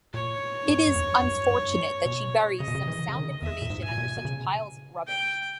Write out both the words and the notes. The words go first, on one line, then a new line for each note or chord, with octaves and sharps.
It is unfortunate that she buries some sound information under such piles of rubbish.
A#2 C#5
G#2
G2
E2
G2
G2
B2
C#3 D#5
B2
C#3
E3
C#3
D#3
E2 E5
A#2
G#2
G#5
A#2
B2
B2
C#3
G5